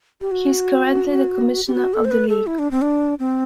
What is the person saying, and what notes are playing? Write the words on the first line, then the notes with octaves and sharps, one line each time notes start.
He is currently the commissioner of the league.
G4
F#4
G4
F#4
A4
C5
B4
A4
E4
D4
C4
D4
C4